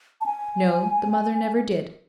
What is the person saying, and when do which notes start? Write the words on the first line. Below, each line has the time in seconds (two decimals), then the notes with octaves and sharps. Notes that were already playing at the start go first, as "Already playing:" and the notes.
No, the mother never did.
0.21 A5
0.26 G#5